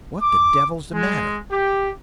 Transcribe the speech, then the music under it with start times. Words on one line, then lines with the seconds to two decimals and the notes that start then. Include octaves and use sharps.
What the devil's the matter?
0.21 D6
0.93 G#3
1.51 G4